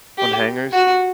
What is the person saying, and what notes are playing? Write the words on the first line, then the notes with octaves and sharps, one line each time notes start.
On hangers?
G4
F#4